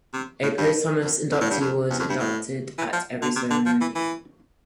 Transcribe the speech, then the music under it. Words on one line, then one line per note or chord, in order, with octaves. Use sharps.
A posthumous inductee was inducted at every ceremony.
C3
A2
G2
F2
F2
A2
G2
F2
E2
F2
G2
A2
E3
F3
D3
C3
D3
F3
E3
E3